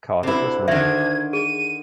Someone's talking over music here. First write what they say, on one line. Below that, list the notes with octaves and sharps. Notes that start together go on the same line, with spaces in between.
Cardiff is winning.
D2 C3 E4
D3 D#3 E5 G#6
G#4 D#7